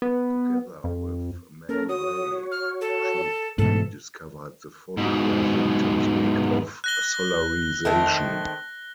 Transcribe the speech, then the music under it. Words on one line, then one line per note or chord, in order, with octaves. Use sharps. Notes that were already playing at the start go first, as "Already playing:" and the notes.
Together with Man Ray, she rediscovered the photographic technique of solarisation.
B3
F2
A#3 C#4 A4 A#4
F#4 C#5 D#6
F6
A4
G#2 B2 E3 A3 A4
G#2 B2
F#6 A#6 G7
D#3 A3 C4